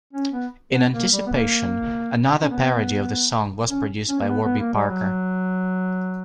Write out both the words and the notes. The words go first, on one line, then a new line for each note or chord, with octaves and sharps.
In anticipation, another parody of the song was produced by Warby Parker.
C#4
B3
B3
A#3
G3
B3
A#3
C#4
B3
C#4
C#4
A#3
B3
B3
A#3
G3
F#3